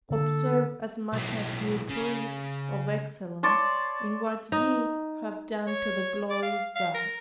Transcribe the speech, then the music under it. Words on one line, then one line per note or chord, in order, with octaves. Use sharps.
Observe as much as ye please of excellence in what ye have done to the glory of God.
D3 A#3 A4
B1 A2
C#3
C#5 D5 A5 C6
D#4
C#5
D5
F5
F5
A#4